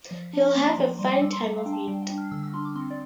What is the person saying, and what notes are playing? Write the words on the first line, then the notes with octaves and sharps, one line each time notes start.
He’ll have a fine time of it.
F3
D4
A#3 D6
C6
F3
A#5
G3 C6
D6
G3 E6
C6
G3 A#5
F5
D4 G5
A5
G3 G5
G5
D4
F6
D3 E6
E6
D4 C6
D6
C4 C6
D5